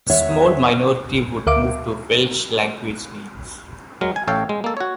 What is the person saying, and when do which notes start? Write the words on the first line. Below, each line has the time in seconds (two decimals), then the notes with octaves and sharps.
A small minority would move to Welsh language names.
0.10 E2 C#5 E5 F#5
1.46 D2 A#4 E5 F5 D6 D7
4.01 F#3 G#3 A#4
4.16 G#5
4.28 A1 A4 C#5 F5 G5
4.49 G#3
4.64 A#3 A4
4.77 F#4 C#5